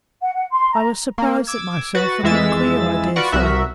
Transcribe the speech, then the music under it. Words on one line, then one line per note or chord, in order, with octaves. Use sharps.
I was surprised at myself, and looked queer I daresay.
F#5
F#5
C6
A#5
A#3
D6 E6 G#6
F#4 B4 A6
F2 E3 G#3 E5 E6 A6
F4 F#4 B4 D5 F#5 C#6
C2 F#4 A#4 E5